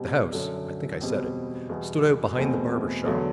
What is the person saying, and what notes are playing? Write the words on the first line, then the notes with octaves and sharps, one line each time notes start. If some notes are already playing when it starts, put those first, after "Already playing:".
The house,--I think I said it,--stood out behind the barber shop.
Already playing: B2 G3 C4 G4
F#2 D3 F#3
E2 B2 G3 C4 G4
E2 B2 G3
E2 B2 A3 C4
E2 D3 F#3